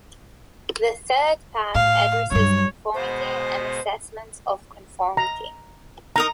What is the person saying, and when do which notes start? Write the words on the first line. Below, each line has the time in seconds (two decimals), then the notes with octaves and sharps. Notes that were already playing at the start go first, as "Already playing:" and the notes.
The third part addresses conformity and assessments of conformity.
1.75 A2 F5
2.32 G2 F#3 C#5
2.94 B2 G#3 B3 C5
5.17 A#5
6.16 D#4 A#4 A#5 D#6